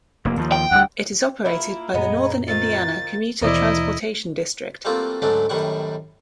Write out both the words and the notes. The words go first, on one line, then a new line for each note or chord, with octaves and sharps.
It is operated by the Northern Indiana Commuter Transportation District.
F1 A#3
D#2 F3
G5
D2 G3 F#5
A#3 E4 F4
F#2 A#2 G#3 B3 A#5
D#3 C4 F4 A6
D#2 B2 E3 E4 A#4 C5 D5 D#5
G3 A3 A#3 C4 F4 F#4
D2 G#2 F#3 A3 C#4 D4
F#2 A2 D#3 G3 F#5 C#6